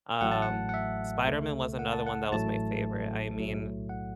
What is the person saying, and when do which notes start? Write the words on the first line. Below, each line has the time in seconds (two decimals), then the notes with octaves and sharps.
Um, Spider-Man was another one that was my favorite. I mean,
0.21 A1 A2 F#3 A3 F#5
0.32 A5
0.42 F#5
0.69 F#5
0.74 E5
1.27 C#2 C#3 A3
1.79 F#5
1.92 A5
2.06 F#5
2.32 A1 A2 F#3 A3 A5
3.38 B1 A2 F#3 A3
3.89 F#5